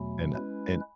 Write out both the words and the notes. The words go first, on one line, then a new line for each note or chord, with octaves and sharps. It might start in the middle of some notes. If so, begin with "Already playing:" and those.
And and
Already playing: E2 B2 F#3 A3 G#5 B5
G#3 C#4 E4 B4